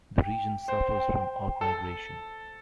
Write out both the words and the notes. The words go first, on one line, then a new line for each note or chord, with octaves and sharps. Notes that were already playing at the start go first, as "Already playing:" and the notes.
The region suffers from out-migration.
G5
C5
B5
A4 A5